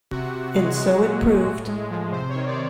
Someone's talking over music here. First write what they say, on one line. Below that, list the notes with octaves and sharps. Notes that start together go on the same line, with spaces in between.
And so it proved.
C3 F#4
C3
G#3
F#3
A#2
A#2
A2
G#3
F3
C3 C5
C#5
D#3
D5